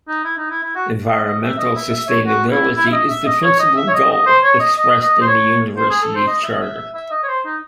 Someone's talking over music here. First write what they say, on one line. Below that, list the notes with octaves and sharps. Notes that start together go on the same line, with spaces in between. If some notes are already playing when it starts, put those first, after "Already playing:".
Environmental sustainability is the principal goal expressed in the university charter.
D#4
E4
D#4
E4
E4
F#4
D#5
D#5
E5
D#5
E5
E5
C#5
F#4
E4
E4
E5
D#5
E5
D#5
C#5
D#5
E5
C#5
D#5
D#5
C5
C#5
D#5
D#5
D#5
C5
C#5
C5
G#4
A4
C5
D#5
E5
D#5
E5
E5
E5
D#5
C#5
C5
D#4